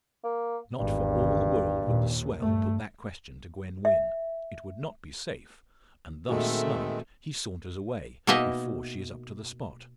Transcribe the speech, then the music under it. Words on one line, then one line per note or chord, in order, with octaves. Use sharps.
Not for all the world would the swell put that question to Gwen Wynn. It would not be safe; and thus snubbed he saunters away, before she is up to the spot.
A#3
G#1 E2 G2
D#2 A#2
G2 A3
E5
A#2 D#3 G#3 A3 C4 F#4 A4 E5
B2 A#3 D#4 D#5 E5 G#5